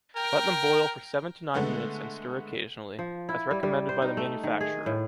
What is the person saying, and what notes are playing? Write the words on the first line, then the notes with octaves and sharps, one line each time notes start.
Let them boil for seven to nine minutes and stir occasionally, as recommended by the manufacturer.
A#4 G5
D3 G#3 A3 B3
F3
E4
G3
G3
C5
D#4
A3
D#3
G#4
A2